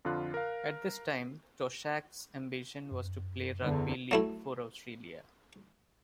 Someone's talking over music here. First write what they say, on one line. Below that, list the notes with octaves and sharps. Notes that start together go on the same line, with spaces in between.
At this time, Toshack's ambition was to play rugby league for Australia.
F2 D3 F4 F#6
A#4 F5
F#2
E2 D3
F#3 A3 E4